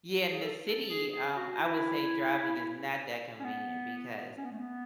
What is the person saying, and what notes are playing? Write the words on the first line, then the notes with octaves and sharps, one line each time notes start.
Yeah, in the city, um, I would say driving is not that convenient because
F#4
G#4
A4
A4
G#4
G#4
F#4
E4
C#4
B3
C#4
B3
A3
B3